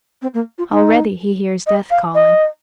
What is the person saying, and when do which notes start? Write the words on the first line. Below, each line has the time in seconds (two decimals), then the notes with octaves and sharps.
Already he hears death calling.
0.22 C4
0.34 A#3
0.58 F4
0.70 D#4
1.67 D#5
1.91 F5
2.14 D#5